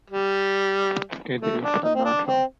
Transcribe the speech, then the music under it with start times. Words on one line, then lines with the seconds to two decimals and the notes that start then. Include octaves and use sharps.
It is unnatural.
0.10 G3
1.41 A3
1.63 D4
1.84 D#4
1.95 C4
2.05 D4
2.27 C4